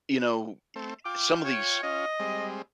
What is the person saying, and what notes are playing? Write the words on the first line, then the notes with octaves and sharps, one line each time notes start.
you know, ye some of these
A3 C4
F4 G5 D6
C#5
C#4 F4 D#5
G3 G#3 C4